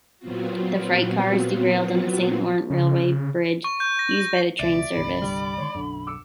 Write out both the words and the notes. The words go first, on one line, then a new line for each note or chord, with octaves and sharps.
The freight cars derailed on the Saint-Laurent Railway Bridge used by the train service.
A#2 F#3 B3 C4 F4 F#4
C#3
C#6
G6
A#6
A#6
C#2 B2 D5 E5 A6
G1 C2 D3 B5
G3
D3 D#3 G#3 C#5 C6
B1 F#2 D3
D6 E6 C#7